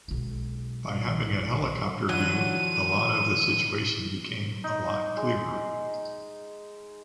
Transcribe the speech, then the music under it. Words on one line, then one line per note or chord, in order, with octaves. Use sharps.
By having a helicopter view, a lot of the situation became a lot clearer.
B1 G#3
D#3 F3 F#3 E4 D5 D#7
D#4
G#3